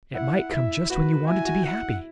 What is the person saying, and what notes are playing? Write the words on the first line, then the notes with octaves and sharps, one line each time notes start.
"It might come just when you wanted to be happy!"
E4 F#5
E4 E5
F#4 B4
E4 G#5
F#4
E4 F#5